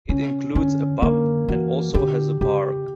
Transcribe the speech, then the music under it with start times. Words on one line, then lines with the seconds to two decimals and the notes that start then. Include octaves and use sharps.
It includes a pub, and also has a park.
0.09 C#3 C#4
0.55 D3 C#4
1.02 D3 A#3
1.48 E3 F#4
1.94 D3 G4
2.41 C#3 G4